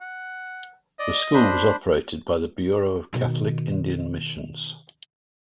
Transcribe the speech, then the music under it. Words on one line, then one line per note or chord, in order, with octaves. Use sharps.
The school was operated by the Bureau of Catholic Indian Missions.
F#5
D5 D#5
D4 C5 B5
B2 D#3